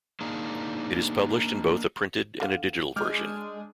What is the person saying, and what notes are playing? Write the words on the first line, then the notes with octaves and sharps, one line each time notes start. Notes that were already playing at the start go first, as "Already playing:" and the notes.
It is published in both a printed and a digital version.
A#3 D4 D#4 G#4
D3 F5
G#3 D4 G#4 D6 F6 G6